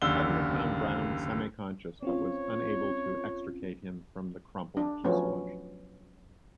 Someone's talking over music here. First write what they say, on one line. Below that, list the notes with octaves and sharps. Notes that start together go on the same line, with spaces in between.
Hudner found Brown semi-conscious, but was unable to extricate him from the crumpled fuselage.
F#1 D#2 D3 E6 G7
C4 C#4 F4 C#5
D4
F3 F#3 A3 B3 C#4